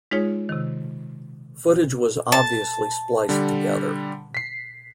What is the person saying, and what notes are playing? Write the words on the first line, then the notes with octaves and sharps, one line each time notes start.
Footage was obviously spliced together.
G#3 D#4 F4 G#4 C#5
C3 D#3
A5
D3 G3
B6 C7